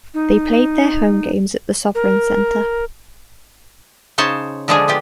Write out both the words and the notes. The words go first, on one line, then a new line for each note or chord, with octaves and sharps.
They played their home games at the Sovereign Center.
D#4
A#4
C#3 D#4 C5 C#5 F5 A5
D3 F3 G#3 D4 F4 G#4
B3 F4 G4